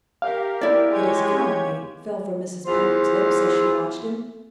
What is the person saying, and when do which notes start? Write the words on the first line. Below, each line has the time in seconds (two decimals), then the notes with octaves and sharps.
"It is calumny," fell from Mrs. Packard's lips as she watched him.
0.22 G4 A#4 F5
0.61 E4 D5
0.90 G#3 G4 C#5 G#6
2.66 E2 F4 C5